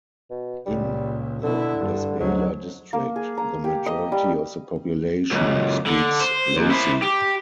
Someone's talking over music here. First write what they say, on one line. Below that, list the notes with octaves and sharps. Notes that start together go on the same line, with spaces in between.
In the Lasbela District, the majority of the population speaks Lasi.
B2
C#2 A#2 G3
B2 D3 E4
G2
D2 G#2 F#3
A#3
G#4
A#5
G4
D#5
G3
C#2 F#2
D3
C5
D#2
E4 C5
G4